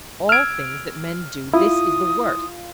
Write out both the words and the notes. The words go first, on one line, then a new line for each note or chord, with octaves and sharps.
Of all things that men do this is the worst.
E6 F6 G#6 D7
E4 F4 D#6